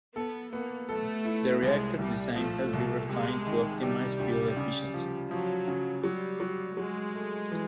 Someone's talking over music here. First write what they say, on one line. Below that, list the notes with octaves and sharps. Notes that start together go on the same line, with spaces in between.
The reactor design has been refined to optimize fuel efficiency.
B3 A4
A#3 B3
A3 A4
E4
C2 G#3
C2 G3
F3 A3
C2
C3 G#3
D#3
C3 G3
D2
C#3
F3
F3 F#3
C#3
F#3 G3
F#3
F#3 G#3
A3
E3